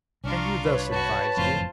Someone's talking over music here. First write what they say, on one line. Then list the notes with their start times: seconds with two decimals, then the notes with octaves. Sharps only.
"And who thus advised you?"
0.24 C2 D4 F4 A#5 C#6 F6
0.63 B4 C#5 B5
0.92 F#4 A5
1.37 F#1 F2 A2 F4 C5